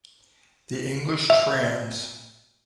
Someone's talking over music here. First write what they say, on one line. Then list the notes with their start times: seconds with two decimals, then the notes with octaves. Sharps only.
The English trans.
1.30 E5